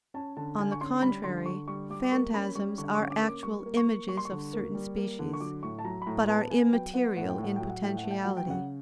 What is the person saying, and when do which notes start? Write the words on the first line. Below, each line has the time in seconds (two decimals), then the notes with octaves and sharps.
On the contrary, phantasms are actual images of certain species, but are immaterial in potentiality.
0.14 C#4 A5
0.37 D3 A5
0.59 D3 G#5
0.72 C#6
0.81 C#4 C6
1.02 G3 B5
1.24 D3 C6
1.46 D3 C#6
1.68 G3 C#6
1.90 G3 D6
2.04 D6
2.12 A#3 C#6
2.34 C#4 B5
2.55 G3 C#6
2.78 D3 C#6
2.95 C#4 C#6
3.10 D6
3.21 A#3
3.27 D6
3.43 G3 C#6
3.66 A#3
3.77 C#6
3.87 A#3
4.09 G3 C#6
4.17 C6
4.25 C#6
4.32 D3
4.53 A#3
4.75 G3
4.97 A#3
5.19 D3
5.33 C#6
5.40 F#3 D6
5.63 A2 C#6
5.79 A5
5.84 F#3 A#5
6.02 B5
6.07 A2 A#5
6.28 B3 A5
6.50 B3 G#5
6.72 F#3 G5
6.94 B3 F#5
7.16 A2 F#5
7.29 G5
7.38 A2 F#5
7.56 F#3 G5
7.69 F#5
7.82 A2 G5
7.97 F#5
8.04 A3
8.11 G5
8.24 F#3 F#5
8.37 G5
8.47 C#3 F#5